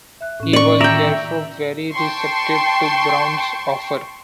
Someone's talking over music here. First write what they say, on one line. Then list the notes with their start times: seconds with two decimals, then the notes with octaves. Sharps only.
He was therefore very receptive to Brown's offer.
0.21 E5 F#6
0.40 A2 C#4
0.53 D5 C#6
0.81 D#3 D5 E5 G5 A#5
1.92 G5 A5 C6 C#6